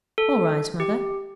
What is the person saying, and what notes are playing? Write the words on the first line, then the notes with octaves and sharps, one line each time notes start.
'All right, Mother.
A4
G4